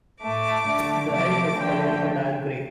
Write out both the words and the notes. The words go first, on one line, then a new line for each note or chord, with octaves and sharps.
The head is coloured a dark grey.
A2 A3 D6
D3 A3
C3 F3 A3 D6
D3 F3 A3 G5